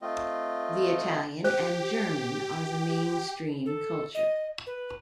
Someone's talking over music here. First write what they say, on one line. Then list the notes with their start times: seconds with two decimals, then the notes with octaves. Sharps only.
The Italian and German are the mainstream culture.
0.02 A3 C4 F4 D#5
1.44 G4 C5
3.66 A4
4.15 D#5
4.67 B4